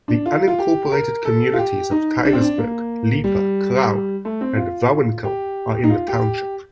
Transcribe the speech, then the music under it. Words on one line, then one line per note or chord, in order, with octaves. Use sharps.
The unincorporated communities of Tylersburg, Leeper, Crown, and Vowinckel are in the township.
D4
F4
F4
G4
A#4
A4
F4
G4
D#4
D4
C4
D4
A#3
G3
A3
C4
F4
G4
D#4
F4
G4